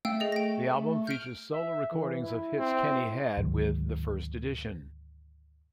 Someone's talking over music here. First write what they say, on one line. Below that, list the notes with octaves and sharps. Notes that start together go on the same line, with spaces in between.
The album features solo re-recordings of hits Kenny had with The First Edition.
A3 F5 G5 E6
A3 G#4 D#5
G5 A#6
F6 G6 D7
E5
E3
E4
C4
D2 G#2 D#3 F#3